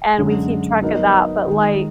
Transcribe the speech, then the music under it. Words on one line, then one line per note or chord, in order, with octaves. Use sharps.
and we keep track of that, but, like,
F#2 D3 G#3
F#3 B3 D#4 A#4 D#5
D#3 G#3 D#4